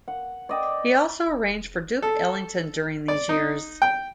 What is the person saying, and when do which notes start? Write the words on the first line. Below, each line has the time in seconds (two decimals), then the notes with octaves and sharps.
He also arranged for Duke Ellington during these years.
0.08 F#5
0.49 D5 D#5 G5
2.02 A4
3.08 D5
3.29 D#4
3.82 G5